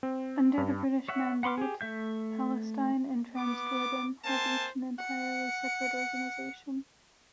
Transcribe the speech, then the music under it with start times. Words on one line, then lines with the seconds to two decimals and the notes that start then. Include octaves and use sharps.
Under the British mandate, Palestine and Transjordan have each an entirely separate organisation.
0.03 C4
0.58 G2
1.08 C#5 E5 F#5
1.43 F#5 B5 C6 D6 F6
1.58 G4 G#4
1.81 A3 E5 G6
3.37 B3 D6
4.24 A#3 C4 C5 G#5 A5
4.99 F#5 C#7